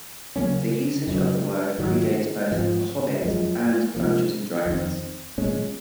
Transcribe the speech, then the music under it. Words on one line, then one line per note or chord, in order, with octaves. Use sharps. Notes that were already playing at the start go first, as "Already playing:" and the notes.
This usage of the word pre-dates both "The Hobbit" and "Dungeons and Dragons".
C#3 F#3 A#3 C#4
F#2 C#3 F#3
G#2 D#3 F#3
G#2 F3 C4
F#2 F3 G#3
C3 F3 A#3
F2 D#3 G#3 C4
A#2 G#3 C#4